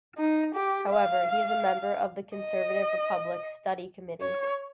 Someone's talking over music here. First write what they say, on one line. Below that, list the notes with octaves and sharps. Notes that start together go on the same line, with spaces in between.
However, he is a member of the conservative Republican Study Committee.
D#4
G4
F5
D#5
C#5